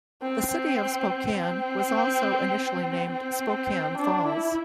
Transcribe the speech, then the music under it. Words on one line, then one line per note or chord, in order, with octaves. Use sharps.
The city of Spokane was also initially named "Spokane Falls".
C4
C4
C4
C4
D4
E4